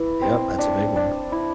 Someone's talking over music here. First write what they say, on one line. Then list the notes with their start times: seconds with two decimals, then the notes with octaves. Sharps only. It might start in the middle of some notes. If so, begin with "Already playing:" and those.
Yep, that's a big one.
Already playing: E4 B4
0.22 C4
0.58 D4
0.96 D4
1.32 E4